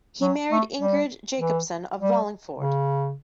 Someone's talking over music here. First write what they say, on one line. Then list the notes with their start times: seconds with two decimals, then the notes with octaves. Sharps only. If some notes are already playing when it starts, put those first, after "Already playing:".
He married Ingrid Jacobson of Wallingford.
0.21 F#3
0.52 A3
0.81 G3
1.41 E3
2.00 G3
2.60 C#3